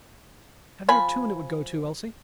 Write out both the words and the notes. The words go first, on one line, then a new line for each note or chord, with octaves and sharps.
"Have you a tune it would go to, Elsie?"
F3 G#5 B5